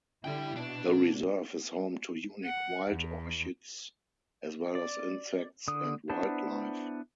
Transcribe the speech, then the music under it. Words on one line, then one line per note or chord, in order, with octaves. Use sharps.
The reserve is home to unique wild orchids, as well as insects and wildlife.
D3 G3 E4 G5
B2 D4 D5
F#5
E2
D5
D3 D#6
B3 D4 E4 C5 A5